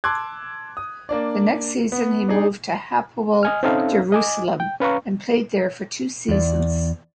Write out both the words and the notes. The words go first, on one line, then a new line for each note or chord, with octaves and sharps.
The next season, he moved to Hapoel Jerusalem and played there for two seasons.
A5 C6 D6 E6 F#6 G#6
D#6
A#3 D4 D5
B3
D4 D#4 G#4
D#5 G#5 F6
C4 C#4 D#4 A4 E5 F5
D#5 G#5 D6
G5
C#4 B4 F5 A#5 C#6
E2 D5